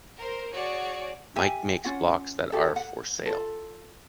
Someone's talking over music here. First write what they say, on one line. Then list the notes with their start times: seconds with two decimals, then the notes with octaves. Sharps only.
Mike makes blocks that are for sale.
0.18 A#4 C5
0.52 F#4 G#4 C#5 D5
1.36 G4 E5 G#5
1.84 C#4 F4 F#5
2.52 F#4 G4 A4
2.76 F#5
3.26 F4 A4